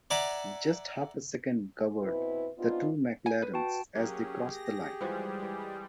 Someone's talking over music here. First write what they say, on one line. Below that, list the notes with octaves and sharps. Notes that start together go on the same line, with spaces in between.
Just half a second covered the two McLarens as they crossed the line.
D5 E5 F#5 G#5 A#5 D6
B2 C4 E4 B4
B3 C4 D4 D#4 F4
G#5
B4
F#4 G5 A5
F#3 A#3 C#4 G4 G#4
A#6
E3 F3 G3 G#3 F#4
E3